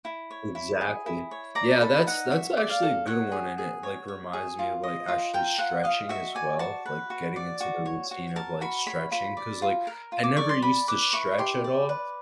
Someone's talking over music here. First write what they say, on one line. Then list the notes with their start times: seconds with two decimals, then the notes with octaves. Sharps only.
Exactly, yeah, that's that's actually a good one and it, like, reminds me of, like, actually stretching as well, like getting into the routine of, like, stretching, 'cause, like, I never used to stretch at all,
0.05 E4
0.31 C#5
0.55 E4
0.81 G#4
1.06 E4
1.31 C#5
1.55 D5 A#5
1.81 A4 B5
2.07 D#4 F#5
2.31 F#4 E5
2.57 D5
2.69 F5
2.82 A4
3.07 C#5 F#5
3.32 G#4
3.58 G#4
3.83 C#5
4.08 C#5
4.33 G#4
4.59 F4
4.83 D#5
5.08 F4
5.34 A#4 G5
5.58 F4 F#5
5.84 D#5 F5
6.09 F#4 E5
6.35 D5 G#5
6.59 F#4 A5
6.86 B4
7.10 F#4
7.36 D5
7.60 F#4
7.86 C#5
8.11 F#4
8.36 A#4 A5
8.61 F#4 B5
8.86 C#5 B5
9.11 F4 B5
9.37 D5
9.62 F4
9.87 A#4
10.12 F4
10.23 D6
10.37 D5 C#6
10.49 C6
10.62 D5 B5
10.88 B4 D6
11.13 E4 C#6
11.38 G4 C6
11.64 D5
11.89 B4